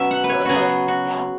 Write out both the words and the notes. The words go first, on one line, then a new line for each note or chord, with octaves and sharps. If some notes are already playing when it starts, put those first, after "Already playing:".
Totally. Yeah.
Already playing: B2 F#3 C#4 E5
F#5
B4
C#5
C#3 F#3 B3 F#4 G#4
F#4